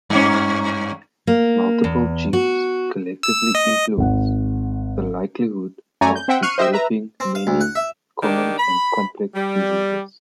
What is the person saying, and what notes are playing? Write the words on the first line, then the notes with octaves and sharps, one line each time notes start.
Multiple genes collectively influence the likelihood of developing many common and complex diseases.
G2 C#4
A#3
E2
F#4
E6
D#5
G#1 F#5
F#2 A3 C#5 D5 G#5 A#5
G6
C4 C5 E5 F#5 G5
C#6 F6 F#6 C7 C#7 D#7
C5 D#5 E5 G5 E6
B4 E5 A#5
C4
F5
D2
F#5
E5
D#3 D4 G4
B5
G3